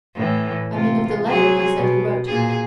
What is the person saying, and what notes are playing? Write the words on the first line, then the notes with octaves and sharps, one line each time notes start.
"I mean of the letter he said you wrote."
A2 E3
C3 F4
F#3 G#4 C5
B2
A#2 G#4